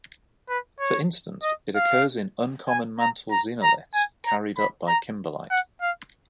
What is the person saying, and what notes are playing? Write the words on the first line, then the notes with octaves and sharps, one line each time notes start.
For instance, it occurs in uncommon mantle xenoliths, carried up by kimberlite.
B4
C#5
D#5
F5
G#5
A#5
A#5
A#5
G#5
A#5
B5
A#5
F#5
F5